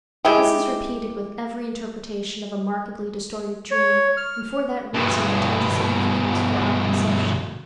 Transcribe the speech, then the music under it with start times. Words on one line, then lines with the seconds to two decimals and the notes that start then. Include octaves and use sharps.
This is repeated with every interpretation of a markedly distorted dream, and for that reason attains a significance for our conception.
0.25 G#3 E4 G4
3.71 C#5
4.17 F6
4.94 G2 B2